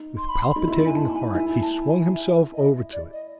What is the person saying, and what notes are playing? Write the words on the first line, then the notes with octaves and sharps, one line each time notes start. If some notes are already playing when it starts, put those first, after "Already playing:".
With palpitating heart he swung himself over to it.
Already playing: D#4
C6
B5
C6
D#4 B5
E4 C6
B5
D#4
G#5
A5
G#5
E4 G#5
A5
G#5
E5
D#5
D5
D#5